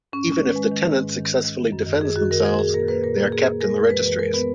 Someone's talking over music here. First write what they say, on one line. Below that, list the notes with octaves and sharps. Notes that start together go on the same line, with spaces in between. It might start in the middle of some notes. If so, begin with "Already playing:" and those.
Even if the tenant successfully defends themselves, they are kept in the registries.
G#2 C#4
G#3 C#4
D#3
G#3 B4
D#3
D#3
G#2
D#3
D#3
D#3
D#3
F#2
D#3
F#2 G#4
F#2 F#4
D#3 A#4
A#3 G#4
A#2 G#4
A#3 A#4
A#3 B4
A#2 A#4
A#3
A#3 G#4
A#3
G#3 A#4
F#2
E3 B4
F#2 B4
G#3 A#4
B3 B4